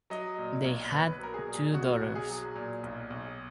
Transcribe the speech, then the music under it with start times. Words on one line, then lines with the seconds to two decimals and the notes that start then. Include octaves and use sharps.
They had two daughters.
0.10 F#3 D#5
0.38 A#2
0.65 B1
0.92 B1 B4
1.13 B4
1.19 F#3 A#4
1.34 G#4
1.47 A#2
1.54 G#4
1.74 B1 F#4
2.01 B1
2.15 G#4
2.29 F#3
2.55 A#2
2.83 B1
3.10 B1